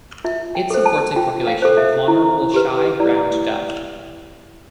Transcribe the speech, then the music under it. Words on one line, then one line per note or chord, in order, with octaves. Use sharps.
It supports a population of vulnerable Shy Ground-dove.
F4 E5
G5
A4 C5
A5
F4 G5
F5
A4 C5
E5
E4
G4 B4
E4 D5